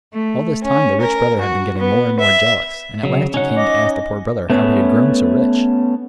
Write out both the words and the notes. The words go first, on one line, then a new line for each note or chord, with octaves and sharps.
All this time the Rich Brother had been getting more and more jealous, and at last he came to ask the Poor Brother how he had grown so rich.
A3
C#4
A#4
F#4
B3
E5
C#3 F#3
C#4 D#4 C#5 F#5
D#5 D6
A3 B3 C#4